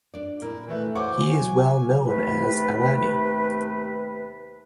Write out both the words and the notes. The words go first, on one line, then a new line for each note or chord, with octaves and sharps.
He is well known as "alani".
D4 D5
A#2 E4 A#4
E3 A3 B4
G#4 C5 C#5 F#5 C#6 D6
F#4 G#5
F#3
D#2 C3 A3 B4